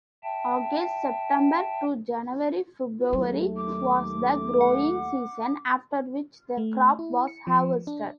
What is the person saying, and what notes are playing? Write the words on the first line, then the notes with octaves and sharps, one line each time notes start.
August-September to January-February was the growing season, after which the crop was harvested.
E5 G5 A5
D#2 F#3 A3
D6
F#5
A3
E4
C#7
F3
D4